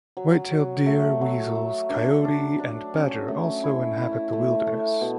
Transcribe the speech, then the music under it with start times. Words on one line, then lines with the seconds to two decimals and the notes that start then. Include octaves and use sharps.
White-tailed deer, weasels, coyote and badger also inhabit the wilderness.
0.17 F#3
0.51 F#3
0.86 A3
1.21 F#3
1.55 A3
1.90 D4
2.25 D4
2.59 D4
2.94 C#4
3.28 A3
3.64 E4
3.97 E4
4.33 A3
4.67 A3
5.01 B2